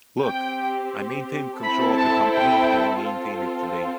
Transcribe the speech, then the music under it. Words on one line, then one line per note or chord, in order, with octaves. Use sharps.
Look, I maintained control of the company and I maintain it today.
C4 G4 G5
C4 E4 A4 B5
A5
G5
C4 F4 A4